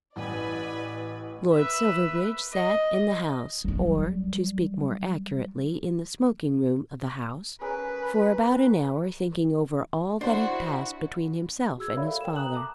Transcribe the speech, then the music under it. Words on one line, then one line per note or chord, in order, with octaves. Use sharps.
Lord Silverbridge sat in the House--or, to speak more accurately, in the smoking-room of the House--for about an hour thinking over all that had passed between himself and his father.
A1 B4 D5 G#5
B4 E5
D#5
F#3 G3
C#4 G#4 A#4 B4
D4 E4 F#4 C5
F#4 G#4 E6 G#6
A#4 C#5 D5 E5 F5 B5
A4
G5 E7
A#5 D#6 F#6 F#7
A5 D6